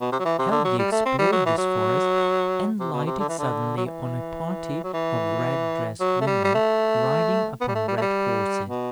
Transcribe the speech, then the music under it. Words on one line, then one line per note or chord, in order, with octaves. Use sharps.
Helgi explored this forest, and lighted suddenly on a party of red-dressed women riding upon red horses.
B2
C3
F#3
E3
C3
D3
F#3
G3
A3
C4
G3
F#3
E3
F#3
C3
B2
C3
D3
E3
D3
F#3
E3
F#3
E3
F#3
A3
G3
G3
A3
B3
G3
A3
G3
A3
G3
B2